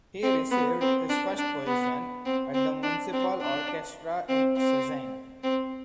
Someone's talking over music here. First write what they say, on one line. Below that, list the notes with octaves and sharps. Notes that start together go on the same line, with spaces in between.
He received his first position at the municipal orchestra in Szczecin.
C4
B3
C4
D4
D4
B3
C4
C4
D4
C4
D4
C4
C4
C4